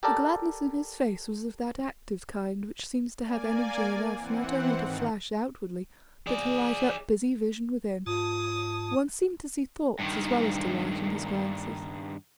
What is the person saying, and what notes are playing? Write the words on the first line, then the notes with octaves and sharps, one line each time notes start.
The gladness in his face was of that active kind which seems to have energy enough not only to flash outwardly, but to light up busy vision within: one seemed to see thoughts, as well as delight, in his glances.
G4 A4 A#4 D5 A5
A#3 D5 G#5
E3 C4 F#5
G#2 D#3
G#4 D5
G#2 F4 A5 D#6
G2 D#3